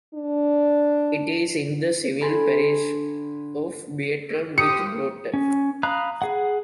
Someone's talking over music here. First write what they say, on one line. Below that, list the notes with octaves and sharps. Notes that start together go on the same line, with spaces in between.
It is in the civil parish of Bierton with Broughton.
D4
D3 G#5 B5 C6
G4 D#6 C#7
C#4
F5 A#5 B5 D#6 F#6
G#4 F#5